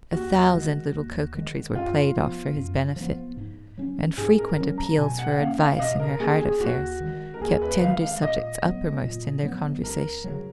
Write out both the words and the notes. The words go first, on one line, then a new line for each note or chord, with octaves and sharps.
A thousand little coquetries were played off for his benefit, and frequent appeals for advice in her heart affairs kept tender subjects uppermost in their conversations.
D#2 F#4
D#3 G#3
D#2
D#3 G#3
F#2 F4
F3 B3
F#2
F3 B3
G#2
F#3 C#4
G#2 G#4
A#4
F#3 C#4
A#5
B2 G#5
F#5
A#3 C#4 F5
F5
F5
B2 D#5
A#4
A#3 C#4 G#4
G#4
D#2 F#4
D#3 G#3
A#4
D#2 G#4
B4
D#3 G#3 F5
F5
A#2 D#5
F#3 B3
A#2
F#3 B3
C#2 A#4
C#3 F#3